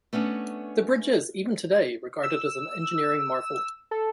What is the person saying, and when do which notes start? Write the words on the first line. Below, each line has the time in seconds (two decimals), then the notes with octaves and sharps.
The bridge is, even today, regarded as an engineering marvel.
0.13 A3 B3 C#4 D4
2.23 E6
3.91 A4